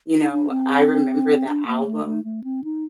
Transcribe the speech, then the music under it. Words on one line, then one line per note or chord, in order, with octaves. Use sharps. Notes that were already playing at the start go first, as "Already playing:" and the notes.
You know, I remember that album,
D#4
D4
C4
D4
A#3
A3
A3
A3
C4
D#4